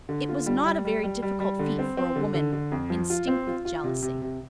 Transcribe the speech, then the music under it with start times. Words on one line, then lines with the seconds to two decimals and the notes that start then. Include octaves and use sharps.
It was not a very difficult feat for a woman instinct with jealousy.
0.09 D3
0.29 F4
0.46 G3
0.66 G3
0.85 G3
1.03 G3
1.22 G3
1.40 G3
1.59 D3
1.79 C4
1.97 C4
2.16 D3
2.34 D3
2.53 D3
2.72 F2
2.90 F3
3.10 F4
3.27 C4
3.47 F4
3.65 F4
3.84 C3
4.02 C3
4.22 C3